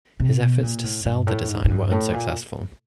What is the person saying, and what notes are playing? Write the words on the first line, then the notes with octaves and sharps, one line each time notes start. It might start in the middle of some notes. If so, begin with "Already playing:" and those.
His efforts to "sell" the design were unsuccessful.
C3
B2
A#2
A2
G2
A2
G#2
G#2
G2
A2
A#2